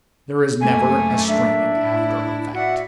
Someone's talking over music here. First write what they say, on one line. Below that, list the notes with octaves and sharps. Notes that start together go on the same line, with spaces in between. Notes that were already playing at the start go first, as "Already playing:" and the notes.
There is never a straining after effect.
F#2 A3 A#3 G#5
D4 E5
A2 E4
F#4 D5 E5 F#5